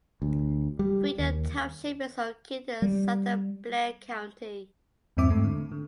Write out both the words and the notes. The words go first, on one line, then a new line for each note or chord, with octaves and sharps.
Freedom Township is located in southern Blair County.
D2
G3
D#2
G3
E2 G2 E3 C4 E5 D6
G#2 A3
D3
D3